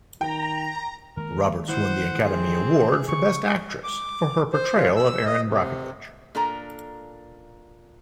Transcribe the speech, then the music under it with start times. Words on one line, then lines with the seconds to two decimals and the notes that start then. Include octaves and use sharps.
Roberts won the Academy Award for Best Actress for her portrayal of Erin Brockovich.
0.21 D#3 G5 A#5
1.17 D#3 G#3 A#3 A#4
1.68 E3 C5 F#5
2.24 C4 G#4
3.08 C#3 C#6
3.84 D6
4.53 C5
4.76 F4
4.96 E6
5.25 D#5
5.48 C3
6.35 A#2 D4 A4 A#4 A#5